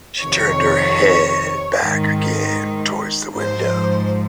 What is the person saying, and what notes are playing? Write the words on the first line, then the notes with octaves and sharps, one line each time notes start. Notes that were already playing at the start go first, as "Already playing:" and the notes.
She turned her head back again towards the window.
F2 C3 D#3 C#5
G#2 D#3
G#2 F3 C5